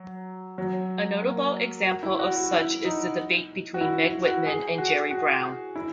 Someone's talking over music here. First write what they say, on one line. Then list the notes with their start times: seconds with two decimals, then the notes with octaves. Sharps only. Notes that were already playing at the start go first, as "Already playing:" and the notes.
A notable example of such is the debate between Meg Whitman and Jerry Brown.
Already playing: F#3
0.58 F#3
1.23 A#3
1.87 F#4
2.03 E4
2.19 F#4
2.36 F#4
2.53 E4
2.84 D#4
3.74 F#4
3.81 E4
4.03 E4
4.24 F#4
4.46 G#4
4.78 F#4
5.11 F#4
5.76 E4